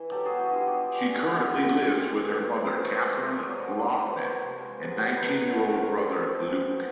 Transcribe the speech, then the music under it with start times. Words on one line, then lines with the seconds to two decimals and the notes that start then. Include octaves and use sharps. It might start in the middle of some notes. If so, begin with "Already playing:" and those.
She currently lives with her mother Kathryn Loughnan and nineteen-year-old brother Luke.
Already playing: E3 E4
0.11 F#3 G4 A4
0.25 B3 F#4 G#4
0.39 E4 F#4
0.49 D3 F4 G4
0.62 G#4
0.67 G3 G4 A4
0.86 B3
0.95 F#4 G#4
1.04 D3
1.23 F#3 G#4
1.33 G4
1.40 A#3 F#4
1.49 F4 G4
1.61 D3
1.80 G#3
1.99 C4
2.16 E3
2.35 A3
2.54 C4
2.73 E3
2.82 C#5
2.92 F3 A#4 C5
3.10 G#3
3.19 C#5 D#5
3.29 C4
3.47 F#3 C5 D5
3.67 A#3
3.75 C5 D5
3.85 C#3
4.03 F3 B4 C#5
4.22 A#3
4.41 C3
4.59 G#3 A#4 C5
4.79 B3
4.98 B2
5.16 D#3 A4 B4
5.35 F#3
5.54 A3
5.66 B4
5.72 A3 A#4 C5
5.90 C4
6.10 E3
6.28 F3
6.47 G#3
6.65 B3